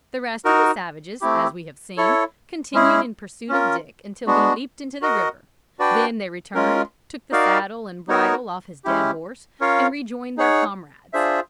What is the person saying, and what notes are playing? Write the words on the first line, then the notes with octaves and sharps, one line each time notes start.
The rest of the savages, as we have seen, continued in pursuit of Dick until he leaped into the river; then they returned, took the saddle and bridle off his dead horse, and rejoined their comrades.
D#4 F#4 A#4
A3 C4 E4 G4
E4 A4 C#5
G#3 C#4 E4 G#4
C#4 F4 A#4
G#3 B3 D4 F#4
F#4 A#4 D#5 F#5
D4 F#4 B4 D5 G5
G#3 C#4 F4 A#4
D#4 F#4 A#4 D5 F5
B3 D#4 F#4 A#4 C#5
G#3 C#4 E4 G4
C#4 F4 A#4 C#5 F5
D#4 G#4 C#5 F#5
D4 F4 G#4 C5 E5